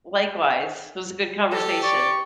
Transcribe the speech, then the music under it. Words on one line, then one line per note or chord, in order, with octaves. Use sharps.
Likewise. It was a good conversation.
G4 A4
D5 C#6